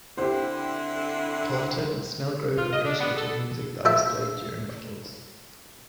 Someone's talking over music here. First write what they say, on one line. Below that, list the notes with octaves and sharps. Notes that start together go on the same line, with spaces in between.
Kalata and Snelgrove appreciated the music that is played during battles.
D3 C4 E4 G4 C5
F4
D#5
D4
B3
A4
F3 A4 E5